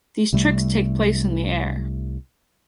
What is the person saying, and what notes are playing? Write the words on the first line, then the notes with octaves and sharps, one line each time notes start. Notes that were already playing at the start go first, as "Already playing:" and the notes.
These tricks take place in the air.
C2 C3 G3 A3